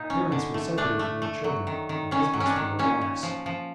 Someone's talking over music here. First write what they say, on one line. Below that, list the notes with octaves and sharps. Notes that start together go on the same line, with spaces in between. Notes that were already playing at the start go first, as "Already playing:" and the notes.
Parents were separated from their children and husbands from their wives.
Already playing: A#2 D#4
C#4
D3
A3
A3 D4
A3
A3
F#3
D#3
D#3
D#3 C#4
F#3
C#4
D4
D#3
A#2 C#4
A#2
F3
F3